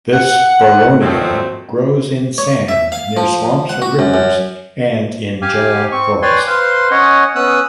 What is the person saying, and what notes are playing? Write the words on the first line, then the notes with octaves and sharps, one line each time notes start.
This boronia grows in sand near swamps or rivers and in jarrah forest.
F#5
A#2 D#3 F3 F#3 A3 C4
C#5
E5
F5
F3
F#5
F#4
F#2
F#2
G4 F5 G#5
C4 C#6
B4 C#5 D5 G5 G#5 C6
B4 C5 F5 C6
C#4 C#5 D#5 F#5
B3 C#4 D#6 E6 F#6